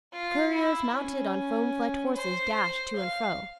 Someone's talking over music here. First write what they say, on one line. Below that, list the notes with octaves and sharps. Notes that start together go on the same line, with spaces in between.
Couriers mounted on foam-flecked horses dashed to and fro.
F4
E4
C#4
C5
F5